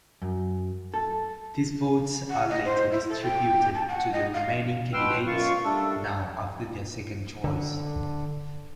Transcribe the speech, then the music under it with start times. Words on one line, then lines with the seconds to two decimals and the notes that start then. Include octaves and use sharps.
These votes are later distributed to the remaining candidates, now after their second choice.
0.22 F#2
0.94 A4
2.30 F#5
2.49 D#5
2.65 C5
2.92 E4
3.09 A4
3.23 G5
3.74 A5
3.88 F#5
4.13 D#5
4.34 F5
4.93 B2 B4 G5 C6 E6 F6
5.27 F#2 F4 F5 C#6
5.64 G3 A3 D4 A4
7.44 D3